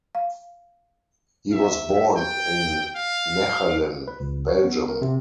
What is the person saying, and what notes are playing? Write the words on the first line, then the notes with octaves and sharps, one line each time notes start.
He was born in Mechelen, Belgium.
F5
E5
G5
F5
B4
C#2
C#5
B3
A#4
C3